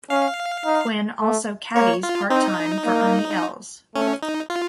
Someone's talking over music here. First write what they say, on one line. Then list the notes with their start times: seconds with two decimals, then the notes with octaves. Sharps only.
Quinn also caddies part-time for Ernie Els.
0.10 C#4 F5
0.65 D#4
1.21 A3
1.75 A#3 C#5
2.03 F4
2.30 C4 D#4
2.86 A#3
3.95 A3 C#4
4.23 D#4
4.50 F4